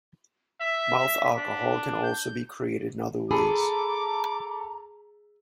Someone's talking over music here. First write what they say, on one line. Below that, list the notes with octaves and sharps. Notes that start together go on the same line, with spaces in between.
Mouth alcohol can also be created in other ways.
E5 B6
D4
G6
G#4 A4 A#5 B5 D6